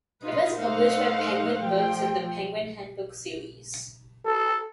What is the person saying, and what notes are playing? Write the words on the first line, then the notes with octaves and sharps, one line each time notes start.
It was published by Penguin Books in the Penguin Handbooks series.
D#4 F4 B4
A3 D#4 A#4 C5 F5 F#5
F3 A3 G5
A4